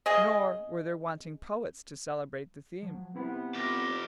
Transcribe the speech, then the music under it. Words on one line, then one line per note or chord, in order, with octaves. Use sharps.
Nor were there wanting poets to celebrate the theme.
C#3 G#4 D#5
F3 F#3
C3 B3 C4 E4 B5
F2 G4